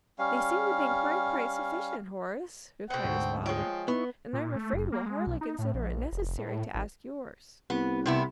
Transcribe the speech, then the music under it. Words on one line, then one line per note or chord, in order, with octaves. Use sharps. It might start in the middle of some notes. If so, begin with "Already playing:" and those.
"They seemed to think mine quite sufficient, Horace," replied his father, "and I'm afraid will hardly consider it necessary to ask yours."
G3 C#4 F5
B2 C4 F#5 G5
D2 G#2
F3 G#3 C#5 G5
B3 D#4 E4 C#6
A#2
A3
F#1
A#3
G#3
B1
D#4
A2
A#1
F1
A2
G#1
C2 B3
C3 B3 E4